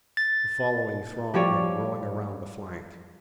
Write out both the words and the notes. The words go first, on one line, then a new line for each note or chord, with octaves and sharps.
The following throng went whirling around the flank.
A6
F3 G3 C#5 D5